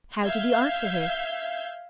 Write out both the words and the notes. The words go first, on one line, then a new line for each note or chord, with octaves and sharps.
How did he answer her?
E5 F5 G6 G#6